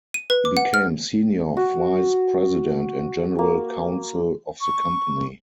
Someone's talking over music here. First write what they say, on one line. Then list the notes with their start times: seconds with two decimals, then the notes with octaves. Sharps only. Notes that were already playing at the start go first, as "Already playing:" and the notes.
He became senior vice president and general counsel of the company.
0.14 D#7
0.30 B4
0.45 D6
0.57 F#5
0.74 F6
1.57 F#4
3.39 A#3
4.61 C#6